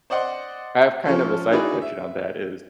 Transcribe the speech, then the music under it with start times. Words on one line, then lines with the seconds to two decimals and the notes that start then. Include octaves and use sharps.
I have kind of a side question on that is
0.10 C5 D5 D#5 F#5 C6
1.05 F3 C#4 A4
1.52 D#4 E4 F#4 G#4 B4 D5
1.82 E5